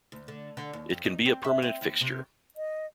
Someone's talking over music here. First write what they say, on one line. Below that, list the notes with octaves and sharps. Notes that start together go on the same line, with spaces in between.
It can be a permanent fixture.
D2
D3
D3
D#2
F2
D#4
C4
E5
C4
D#2
C3
D#5